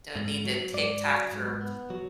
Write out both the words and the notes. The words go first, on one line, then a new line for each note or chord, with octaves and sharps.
don't need the TikTok for
G#2
F#3
G#2 D5
F#3
G#2
B3
F#3